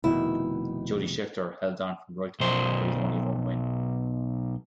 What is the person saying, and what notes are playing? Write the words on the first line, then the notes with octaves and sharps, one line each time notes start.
Jody Scheckter held on from Reutemann for his only home win.
F1 B2 D#3 E4
B1 C5